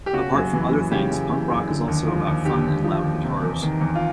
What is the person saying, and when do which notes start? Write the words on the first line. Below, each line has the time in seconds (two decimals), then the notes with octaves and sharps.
Apart from other things, punk rock also is about fun and loud guitars.
0.06 G4
0.13 C#3 F#4
0.34 F#2
0.53 E3
0.71 F#2
0.91 C#3 G4
1.11 F#2
1.29 E3
1.50 F#2
1.68 D3
1.88 D#2
2.07 F3
2.26 D#2
2.45 D3 G4
2.66 D#2
2.84 F3
3.04 D#2
3.23 C3
3.42 E2
3.62 D#3
3.81 E2
3.95 F4